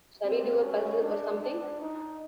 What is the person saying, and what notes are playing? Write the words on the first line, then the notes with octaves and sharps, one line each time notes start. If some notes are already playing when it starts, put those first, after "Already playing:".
Shall we do a puzzle or something?
C4
C#4
D4
D4
D#4